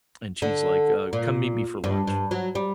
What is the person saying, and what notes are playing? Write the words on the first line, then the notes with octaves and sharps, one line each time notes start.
and she's like, uh, "Come meet me for lunch"
D3
A#2
G2
G2
F#3
G3